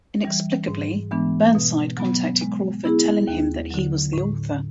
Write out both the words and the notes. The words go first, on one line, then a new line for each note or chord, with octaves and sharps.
Inexplicably, Burnside contacted Crawford telling him that he was the author.
E3 G3
G#2
E3 G#3 B3 D4
B2
F#3 B3
G#3
B3 E4 G#4
D#2
D3 F#3
A2